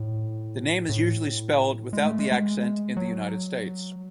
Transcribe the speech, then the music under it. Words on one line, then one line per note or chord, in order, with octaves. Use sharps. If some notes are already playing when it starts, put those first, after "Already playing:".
The name is usually spelled without the accent in the United States.
Already playing: A2
A2
G#3
A3
G#3
G#3
F#3